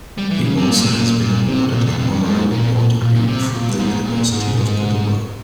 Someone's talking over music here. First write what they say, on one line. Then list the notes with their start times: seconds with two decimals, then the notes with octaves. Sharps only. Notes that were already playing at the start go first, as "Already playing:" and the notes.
He also has been awarded an honorary law degree from the University of Padua.
0.18 G3
0.31 E3
0.44 C#3
0.57 C3
0.69 A#2
0.83 C3
0.95 A#2
1.21 A#2
1.47 C3
1.72 A#2
1.86 E2
1.98 F2
2.12 G2
2.24 G#2
2.51 A#2
2.76 A#2
3.02 A#2
3.15 A#2
3.28 C3
3.54 A#2
3.69 G2
3.80 G#2
4.05 A#2
4.32 G#2
4.58 G#2